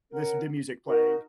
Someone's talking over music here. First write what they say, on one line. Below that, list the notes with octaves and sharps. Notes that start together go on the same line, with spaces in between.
this the music playing,
C#4 A#4 F#5
D#4 F#4 A#4